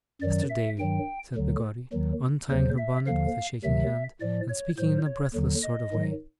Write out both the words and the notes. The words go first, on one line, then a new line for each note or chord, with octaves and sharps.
'Master Davy,' said Peggotty, untying her bonnet with a shaking hand, and speaking in a breathless sort of way.
F#2 D#3 F#3 D5
E5
G2 D#3 F#3 G5
D2 D3 F#3
D#2 D#3 F#3
D#2 C#3 F#3 C5
E5
D#2 D3 F3 F5
D2 C3 D#3 F#3 E5
A2 F3 D5
C#5
A2 F#3 C5
C#5
D#2 D3 F#3
D#5
G#2 D#3 F#3